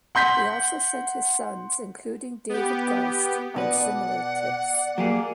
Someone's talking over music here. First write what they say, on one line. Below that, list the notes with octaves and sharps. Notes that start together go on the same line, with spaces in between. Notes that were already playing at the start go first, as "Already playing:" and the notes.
He also sent his sons, including David Garst, on similar trips.
F#5 C6 G6 B6
B3 G4
B2 B4 D5 F#5
F#3 A#3 G4 G#4